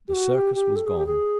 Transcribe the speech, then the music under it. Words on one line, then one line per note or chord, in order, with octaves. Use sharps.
The circus was gone.
G4
F#4
G4
G4
A4
G#4
G4
G#4